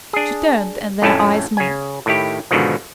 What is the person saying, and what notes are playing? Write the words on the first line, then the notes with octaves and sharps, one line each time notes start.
She turned and their eyes met.
D4 G#4
F2 A2 A3 C#4 E4 A5
C#3 G#5
A2 D#3 E4 G4
G#2 B2 D3 D#3 F3